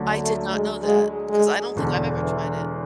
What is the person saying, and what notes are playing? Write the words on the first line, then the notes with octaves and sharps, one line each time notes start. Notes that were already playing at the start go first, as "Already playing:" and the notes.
I did not know that, 'cause I don't think I've ever tried it.
Already playing: D2 D3 F#3
A3
G#3
G#3
G#3
E1 E2 D3
E3